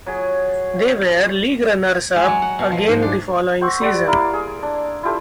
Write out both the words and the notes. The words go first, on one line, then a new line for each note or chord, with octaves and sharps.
They were league runners-up again the following season.
F#3 G#4
G#3
F#3
F#5
B2
F3
G#2
D4
C5 F#5 C#6 E6
G3 D5 F#5
A#3 E4 F5
G#4
D4
E4 F4 G4 A4